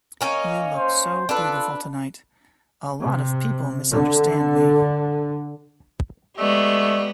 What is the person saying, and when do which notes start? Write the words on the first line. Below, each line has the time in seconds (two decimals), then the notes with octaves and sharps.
You look so beautiful tonight... A lot of people misunderstand me.
0.21 A#3 C#4 D#4
0.76 C5
1.29 D4 F4 A4 B4
3.00 C3
3.90 D3
6.38 G#3 A3 B3 G4 D5 D#5 C#6